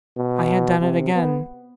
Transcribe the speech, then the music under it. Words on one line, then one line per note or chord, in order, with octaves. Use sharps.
I had done it again.
B2
C3
B3